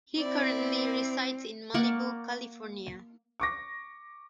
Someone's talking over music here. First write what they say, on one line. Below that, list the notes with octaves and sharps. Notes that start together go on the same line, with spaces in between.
He currently resides in Malibu, California.
C4 E4 D5
A#3 D5 F#5 C#6
C#6 D6 A#6